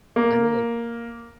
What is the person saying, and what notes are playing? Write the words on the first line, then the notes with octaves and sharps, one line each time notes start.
I know it
A#3